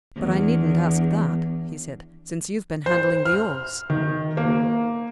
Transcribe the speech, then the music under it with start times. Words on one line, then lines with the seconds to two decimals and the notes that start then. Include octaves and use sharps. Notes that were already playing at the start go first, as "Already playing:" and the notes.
"But I needn't ask that," he said, "since you've been handling the oars."
0.16 E2 D4
2.86 C5
3.25 F6
3.90 D#3
4.37 A#3